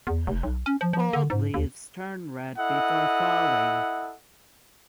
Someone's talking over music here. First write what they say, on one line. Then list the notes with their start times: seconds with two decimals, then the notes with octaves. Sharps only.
Old leaves turn red before falling.
0.07 E2
0.27 F1
0.43 B1
0.66 C#4
0.81 F3
0.93 F3
1.13 D3
1.30 G#2
1.54 D#2
2.58 E4 A4 D#5 F#5